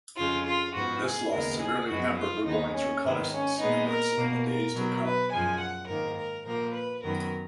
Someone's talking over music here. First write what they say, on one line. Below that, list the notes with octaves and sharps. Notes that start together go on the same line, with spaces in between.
This loss severely hampered Burgoyne's reconnaissance efforts in the days to come.
F2 C#3 G#3 F4
F4
G#2 F3 B3 F#4
G#4
D#2 C#3 G#3 B3 A#4
G#4
F#2 F3 G#3 B3 F#4
F4
D#2 D#3 G#3 B3 D#4
C#4
G#2 D#3 G#3 B3
C#4
A#2 G#3 B3 D#4
A#4
B2 A#3
A#4
B2 F#3 B3
B4
F#2 F3 G#3 G#5
F#5
G#2 D#3 A#3 A#4
A#4
A#2 F3 A#3 A#4
B4
F#2 D#3 F#3 B3 A#4